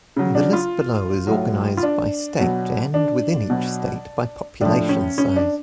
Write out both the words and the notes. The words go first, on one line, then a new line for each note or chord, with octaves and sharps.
The list below is organized by state and, within each state, by population size.
C#3 F#3
D4
F4
A2 F#3
F4
D4
B2 F#3
D4
B2 F#3
A2 F3 D4
C#4
C#4
D4